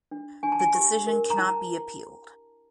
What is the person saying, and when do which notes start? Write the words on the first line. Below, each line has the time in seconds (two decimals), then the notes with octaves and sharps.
The decision cannot be appealed.
0.11 D4
0.43 D4 G#5
0.52 A5
0.60 G#5
0.75 G4
1.07 A#4
1.30 A#5
1.38 E4 A5